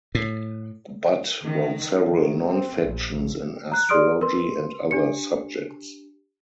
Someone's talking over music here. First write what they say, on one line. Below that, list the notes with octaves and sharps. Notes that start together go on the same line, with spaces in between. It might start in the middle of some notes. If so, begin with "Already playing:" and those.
Butt wrote several non-fictions in astrology and other subjects.
A2
D#3
D#3
C4
A#1
A#5 F#6
G#4 D5 C6 D#6 F6 D7
A#4 B4 C6
D4 G4 C#7